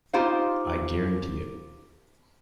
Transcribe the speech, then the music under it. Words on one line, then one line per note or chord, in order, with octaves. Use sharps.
I guarantee it.
D#4 F4 G4 C5 F5